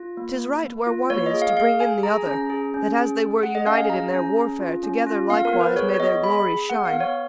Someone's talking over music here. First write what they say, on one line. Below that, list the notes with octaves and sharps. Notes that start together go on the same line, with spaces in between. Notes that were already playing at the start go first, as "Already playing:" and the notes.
'Tis right, where one is, to bring in the other, That, as they were united in their warfare, Together likewise may their glory shine.
Already playing: F4
A#3
A#3
A#3
F4
A#3 C#5
D#5
G#4
F5
G#4 F5
G#4 G#5
G#4 A#5
C#4 A#5
G#4
C#4
G#4
G#4
G#4 F#5
D#5
C#4 F5
G#5
G#4 A#5
C#4 A#5
G#4
F4
C#4
F4
B3 F5
A#4
B3
B4
G#4 C#5
C#5
B3 D#5
G#4 B5
G#4
B3 F#5
F5
B3
C#5